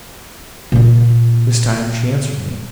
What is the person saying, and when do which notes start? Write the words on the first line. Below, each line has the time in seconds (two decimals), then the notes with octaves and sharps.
This time she answered me.
0.72 A#2 F4